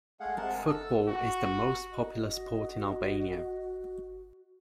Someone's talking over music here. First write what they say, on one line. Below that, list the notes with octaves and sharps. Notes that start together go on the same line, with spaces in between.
Football is the most popular sport in Albania.
G#3 A3 G#4 F5 F#5
C3 G#3 A#4 F#5 A5
D3
A4 A5 E6
F#4
F#4 D#5